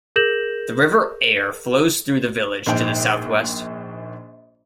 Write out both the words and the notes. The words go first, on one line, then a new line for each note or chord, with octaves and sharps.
The River Aire flows through the village to the south-west.
G#4 A#4 G6 A#6 E7 F#7
A#1 G#2 G5